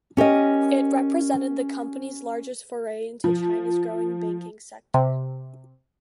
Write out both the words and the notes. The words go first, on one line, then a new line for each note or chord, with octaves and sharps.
It represented the company's largest foray into China's growing banking sector.
C#4 G4 A#4 D#5
F3
C3